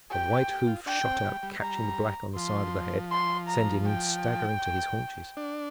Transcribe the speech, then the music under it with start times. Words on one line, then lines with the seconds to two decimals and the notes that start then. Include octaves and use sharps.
A white hoof shot out catching the black on the side of the head, sending him staggering to his haunches.
0.11 G4 G5
0.30 G4
0.48 G4
0.67 F4
0.86 D4 G5
1.05 C4
1.24 G3
1.43 G3
1.61 G3 A#5
2.36 F3 C6
3.11 C6
3.49 A#5
3.87 G5
5.37 D4